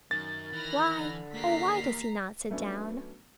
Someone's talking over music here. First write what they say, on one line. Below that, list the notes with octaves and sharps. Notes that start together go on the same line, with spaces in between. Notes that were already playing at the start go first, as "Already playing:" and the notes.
Why, oh, why does he not sit down?
F#2 D#3 A6
E3 B5 F6 A#6
D3
A#3 G4 A#5 B6 C7
F#3 A3 B3 C#4 D4